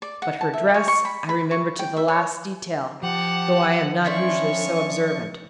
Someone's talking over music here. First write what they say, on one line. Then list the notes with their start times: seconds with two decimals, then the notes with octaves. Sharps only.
But her dress I remember to the last detail, though I am not usually so observant.
0.02 D5
0.22 F#5
0.41 A5
0.53 E5
0.74 C#5
0.88 C#6
1.05 B5
1.29 B5
1.51 C#6
1.79 G5
1.97 E5
2.08 C#5
3.03 F3 G4 F#5 A5
4.05 C#4 D4 E4 F4 C#6